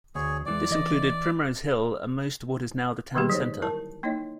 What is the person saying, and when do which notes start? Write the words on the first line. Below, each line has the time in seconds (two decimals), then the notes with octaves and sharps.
This included Primrose Hill and most of what is now the town centre.
0.15 D2 G#4 C#5
0.46 E2 E3 G#3 D5
0.71 E3 D#5
3.15 D3 D#3 G3 A#3 G4 G#4
3.30 F#3 D#4 C5 C#5
3.62 E4 A#4 A5
4.03 A#3 D#4 E4 C#5 D#5